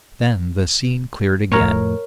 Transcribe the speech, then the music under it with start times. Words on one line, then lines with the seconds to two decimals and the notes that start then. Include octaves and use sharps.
Then the scene cleared again.
1.52 F2 A2 A#4 C#5